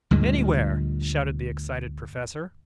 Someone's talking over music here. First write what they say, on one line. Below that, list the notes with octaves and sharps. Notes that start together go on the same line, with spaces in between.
"Anywhere!" shouted the excited Professor.
D2 G2 A#2 G#3